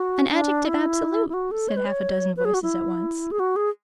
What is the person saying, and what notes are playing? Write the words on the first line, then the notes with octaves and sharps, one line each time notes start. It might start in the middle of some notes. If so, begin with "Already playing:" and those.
'An adjective absolute,' said half-a-dozen voices at once.
Already playing: F#4
D4
E4
E4
F#4
A4
C#5
B4
C#5
B4
G#4
F#4
E4
G#4
F#4
G#4